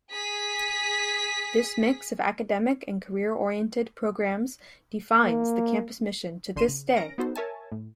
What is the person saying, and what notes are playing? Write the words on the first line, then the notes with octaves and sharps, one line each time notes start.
This mix of academic and career-oriented programs defines the campus mission to this day.
G#4 B6
A#3
G1 D3 C6 D#7 E7
C#3
C#4 A#4 A#6 D7
B3 D#4 F#4 A4 C5
A#4 C#5 E5 G#5 A5
A2